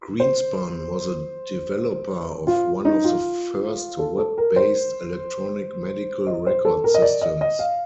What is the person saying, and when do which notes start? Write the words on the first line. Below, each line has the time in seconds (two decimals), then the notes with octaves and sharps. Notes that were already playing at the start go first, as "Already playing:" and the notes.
Greenspun was a developer of one of the first Web-based electronic medical record systems.
0.20 C5
2.47 F4
2.85 D#4
3.04 F4
3.99 A4
4.18 A4
4.38 A#4
4.56 C5
6.27 D#5
6.46 C5
6.65 A4
6.84 A#4
6.94 D#5
7.02 D5
7.22 D#5
7.41 D#5
7.59 F5